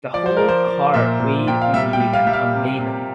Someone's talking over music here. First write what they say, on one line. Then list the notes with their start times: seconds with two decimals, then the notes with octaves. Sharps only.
The whole car weighed only when unladen.
0.14 F3 D5
0.26 C5
0.37 F3 A#4
0.49 C5
0.67 F3
0.94 A#2 E5
1.20 A#2
1.47 A#2 G5
1.62 F5
1.73 G3 E5
1.93 G5
2.00 G3
2.13 F5
2.27 G3 E5
2.33 F5
2.54 C3
2.80 C3